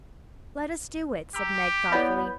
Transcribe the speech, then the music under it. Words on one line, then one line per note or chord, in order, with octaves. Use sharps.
"Let us do it," said Meg thoughtfully.
G4 A#5 E6
B3 E4 C#5 D5 B5 G6